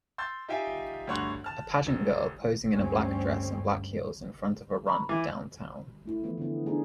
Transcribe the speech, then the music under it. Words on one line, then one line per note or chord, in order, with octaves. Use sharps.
A pageant girl posing in a black dress and black heels in front of a run downtown.
C6 E6 G6 A6
D#4 F4 G4 E5 G5 G#5
D2 G2 C#5 F#5 C6 F#6
A5 F6
F1
D2 G2 C4 C#4
A#5 B5 C#6
E3 D6
A3 E4
E3 F3 A3 B3
D3 B3
A3 B3 D4 D#4 G#4